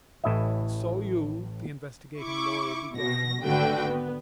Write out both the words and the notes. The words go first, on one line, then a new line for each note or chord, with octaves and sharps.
"And so you--" the investigating lawyer began.
A1 A2 E4 D#5 E5
E4 C#6 D6
B2 A#6
G#1 D3 A3 F#4 B4 G5
B3